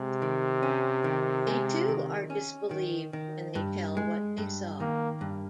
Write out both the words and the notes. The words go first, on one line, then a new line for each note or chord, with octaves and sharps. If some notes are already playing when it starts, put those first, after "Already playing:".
They, too, are disbelieved when they tell what they saw.
Already playing: C3 G#3
D#3
C#4
D#3
G#3
D#3
C#4
D#3
D#3
G2
G#3
G2
D#3 A#3
G2